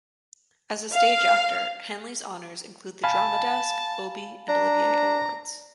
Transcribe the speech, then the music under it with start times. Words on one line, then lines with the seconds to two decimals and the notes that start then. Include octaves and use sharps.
As a stage actor, Henley's honors include the Drama Desk, Obie, and Olivier Awards.
0.94 F5
3.04 F5 G#5 A5 B5
4.49 D4 A#5